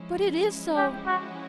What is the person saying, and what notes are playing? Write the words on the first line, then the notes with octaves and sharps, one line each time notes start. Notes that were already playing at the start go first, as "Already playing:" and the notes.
"But it is so."
Already playing: F3 G#3 C#4 E4
G4
F#4